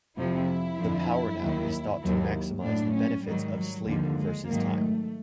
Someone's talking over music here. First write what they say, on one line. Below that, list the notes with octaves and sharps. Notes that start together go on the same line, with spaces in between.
The power nap is thought to maximize the benefits of sleep versus time.
F2 C3 F3 E4
F2 D3 F3
D#2 D#3 F#3
D#2 D#3 F#3
A2 F#3 D4
C#4
G#2 D#3 F#3 G3
F#3
D#2 D3 F3 G3
G#3
G#2 D#3 F#3 A#3
A3